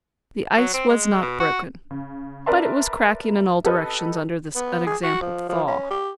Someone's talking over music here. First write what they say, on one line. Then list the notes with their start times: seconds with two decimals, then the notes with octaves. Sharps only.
The ice was not broken, but it was cracking in all directions under this unexampled thaw.
0.58 F#3
0.74 C4
0.89 G#3
1.22 B2
1.40 F#4
1.91 C#3
2.46 A#4 B4 D5 E5 A5 C6
3.64 G4 A4 B4 D#5
4.56 B3
4.87 G#4
5.03 F#4
5.22 F3
5.49 F3
5.68 C#4
5.90 G4